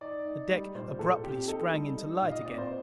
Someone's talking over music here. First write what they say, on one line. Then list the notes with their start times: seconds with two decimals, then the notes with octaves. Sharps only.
The deck abruptly sprang into light again.
0.01 D#4 D5
0.26 D#4
0.50 G3
0.75 A#2 C5
0.99 A#2 A4
1.24 C4 G4
1.48 D#4 A4
1.73 G3
1.97 D#4
2.18 A#2 F5
2.32 D#5
2.45 C4 D5
2.58 C5